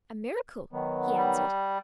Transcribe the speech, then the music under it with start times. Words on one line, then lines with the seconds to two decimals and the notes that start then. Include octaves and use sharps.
"A miracle," he answered.
0.73 D#3 F#3 B3
1.17 G3